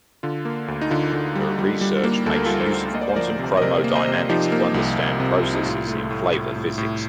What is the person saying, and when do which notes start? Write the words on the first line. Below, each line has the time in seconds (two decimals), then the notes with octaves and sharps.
Her research makes use of quantum chromodynamics to understand processes in flavor physics.
0.23 D3 F4
0.45 A#3
0.68 D2
0.81 D#4
0.91 D3 F4
1.13 D3
1.36 G3
1.59 G3
1.81 G3
2.04 A#3
2.26 D2 A4
2.36 A#4
2.46 G3 F4 A4
2.60 A4 C5
2.72 D2
2.94 A#3 D#5
3.01 D5
3.09 C5
3.16 F3 A#4 D5
3.39 C3
3.57 D#5
3.62 C3 A#4 D5
3.84 A#3
3.96 C5 D#5
4.07 C3
4.29 F3 D#4 G4
4.52 A#3
4.74 C2
4.98 C2
5.20 C3
5.43 C2
5.55 D#4
5.65 A2 F4
5.88 A3
6.10 A2
6.33 A2
6.56 A2
6.78 A2